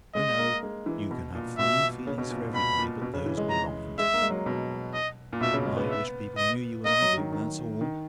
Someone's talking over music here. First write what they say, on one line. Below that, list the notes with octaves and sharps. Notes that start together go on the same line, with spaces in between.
Oh, no! you can have fine feelings for everybody but those belonging to you. I wish people knew you, as I do--that's all.
G#3 D#5
A#3
G#3
E3
B2
A#2
B2 E5
C#3
B2
A#2
A#2
B2 B5
A#2
B2
C#3
E3
G#3
A#5
G#3 E5
A#3
G#3
F#3
B2
D#5
A#2
B2 E5
C#3
G#3
B3
E5
D#5
A#3 D#5
F#3
D#3
D#3
D#3